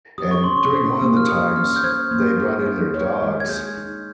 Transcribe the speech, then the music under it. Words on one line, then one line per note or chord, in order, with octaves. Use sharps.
and during one of the times, they brought in their dogs,
G4 D#6
C#6
C#4 C6
C#6
C5
A#3
F6
G4 D#6
C#4 F6
G6
C5 G#6
A#3
G#4
D#4
C#5
G#3
G#6
G#4 G6
D#4